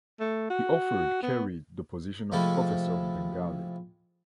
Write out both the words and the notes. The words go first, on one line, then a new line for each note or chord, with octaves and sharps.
He offered Carey the position of professor of Bengali.
A3
F#4
B3
C3 F3 G#3 A3 E4 A4